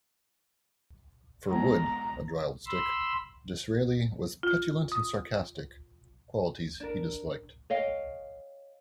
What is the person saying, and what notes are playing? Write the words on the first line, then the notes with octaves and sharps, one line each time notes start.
For Wood, a dry old stick, Disraeli was 'petulant and sarcastic', qualities he disliked.
G#3 B3 A#5
B5 C6 E6
F4
D#6
D4 A#4
C#5 D#5 F5 G5